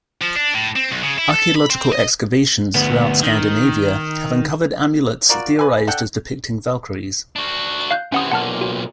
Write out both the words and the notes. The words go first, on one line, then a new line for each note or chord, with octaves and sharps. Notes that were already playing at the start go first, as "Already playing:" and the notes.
Archaeological excavations throughout Scandinavia have uncovered amulets theorized as depicting valkyries.
F3
D4
A2
C4
B1
C#3
E4
A4
B5
C4
D#5
D2 B3
D#3
F4 F#4 A#4 D5
B4 G#5
D4 A4 F#5 G5
D4 F#4
F5 F#6 G6
C3 E3 C#4 F#5 D#6
B1 A#2 F#5 A5 F6
F#4